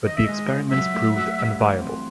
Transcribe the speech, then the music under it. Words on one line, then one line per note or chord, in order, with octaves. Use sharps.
But the experiments proved unviable.
D#3 D#5
E5
G#3 D#5
F4
F#3 E5
A3
F#4
G2
E3
C4